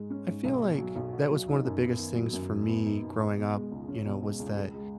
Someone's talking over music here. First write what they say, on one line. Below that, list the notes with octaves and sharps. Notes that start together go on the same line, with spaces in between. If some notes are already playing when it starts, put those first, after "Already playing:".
I feel like that was one of the biggest things for me growing up, you know, was that
Already playing: G#2 G#3
C#4
G#2
B1
B2
F#3
B1
F#4
F#3
D#4
F#2
B3
D#3
F#3
F#2
B2
B3
D#4
B2
B3
B2
G#3
C#2
C#4
B2
G#3
C#2
G#4
G#3